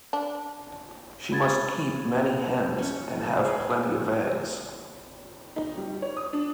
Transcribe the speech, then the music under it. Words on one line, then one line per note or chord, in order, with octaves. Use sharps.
She must keep many hens and have plenty of eggs.
D4
B5 G#6 A6
F3 C#4
C#3 A3
G#4 B4
D#4
G3
C#5
D#6
D4